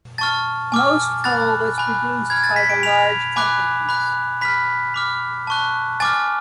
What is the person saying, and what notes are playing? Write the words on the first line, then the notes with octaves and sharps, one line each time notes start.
Most coal was produced by the large companies.
A5 C#6 F6 A6
G#5 D6 F6
B5 F#6 A6
G#5 B5 F#6
B5 F6 G#6
A6
B6
D7
B5 F6 F7
G#5 B5 D6 F#6
B5 F#6
B5 F6 B6
B5 D6 F6
A5 C#6 F#6
G#5 D6 F6 A6